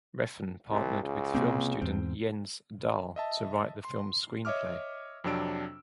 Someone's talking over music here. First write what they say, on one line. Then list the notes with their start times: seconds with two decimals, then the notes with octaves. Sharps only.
Refn partnered with film student Jens Dahl to write the film's screenplay.
0.70 C2
1.04 C#2
1.35 C3 A#3 C4
1.81 E2 G#2 C4
3.16 D#5 E5 A5
3.85 C6
4.45 C#5 D#5 E5 D6 F6
5.24 F2 C3 F#3 D4 E6 D7